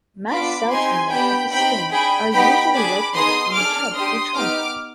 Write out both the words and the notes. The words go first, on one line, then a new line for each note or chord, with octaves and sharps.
Mast cell tumors of the skin are usually located on the head or trunk.
B3 D4 F4 B5 D6
C4 D#4 G4 G#5 C6
B3 D4 G4 G5 B5
C4 D#4 G4 G5 B5
D4 G#4 G5 B5
B3 D#4 G4 G5 B5
D4 G#4 B5 D6
B3 D#4 G#4 C6 D#6
D4 G#4 D6 F6
D4 G4 C6 D#6
B3 D#4 G4 D6 F6